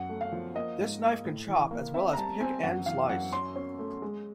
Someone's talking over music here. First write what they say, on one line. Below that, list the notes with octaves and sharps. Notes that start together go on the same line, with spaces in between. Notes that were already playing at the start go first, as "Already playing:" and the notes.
This knife can chop as well as pick and slice.
Already playing: F#2 F#5
A3
F5
F3
A#3 D#5
G#2
A#3
A2
E3
A#3
C4 E5
A#5
G3 A5
C4 G#5
F#2 F#5
E3 F5
F#2 F#5
C#4 C6
C#4
A3
G#3